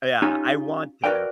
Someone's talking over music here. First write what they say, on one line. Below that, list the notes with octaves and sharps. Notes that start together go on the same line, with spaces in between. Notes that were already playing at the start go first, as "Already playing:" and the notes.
Yeah, I want to.
C#4 D#4 F4 G4 G#5
F#4 A#4 B4 D5 F5 G5